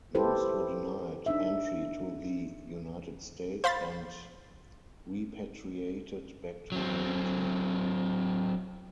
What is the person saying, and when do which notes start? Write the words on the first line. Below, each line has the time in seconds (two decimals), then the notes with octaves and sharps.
Most were denied entry to the United States and repatriated back to Haiti.
0.15 E4 G4 A4 B4 C5
1.26 D4 D#4 E5
3.64 C5 F5 B5 C6 A6
6.72 F#3 C4